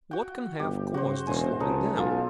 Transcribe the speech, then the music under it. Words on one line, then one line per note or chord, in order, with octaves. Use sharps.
What can have caused the slowing down?
F#4 G5
G1 G4
C#3 F#4 C5
E1 C5 G#5
C#2 C#4 D#4 A4
B1 F4 A4 G#5